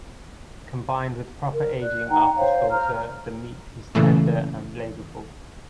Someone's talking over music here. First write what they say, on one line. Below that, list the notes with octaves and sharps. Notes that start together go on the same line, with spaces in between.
Combined with proper aging after slaughter, the meat is tender and flavorful.
A#4
D5 F#6
D#4 F#5 G5 A#5
C5 C#5 F5
C5 A#5 F6
A#2 C#3 E3 A3